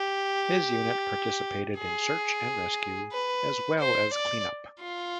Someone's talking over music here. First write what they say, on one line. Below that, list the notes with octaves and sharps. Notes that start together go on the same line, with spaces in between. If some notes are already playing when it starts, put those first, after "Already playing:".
His unit participated in search and rescue as well as clean up.
Already playing: G4
G#4
B4
C5
D5
F4